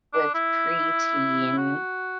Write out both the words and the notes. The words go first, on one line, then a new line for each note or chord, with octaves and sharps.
with preteen
D4
E4
F#4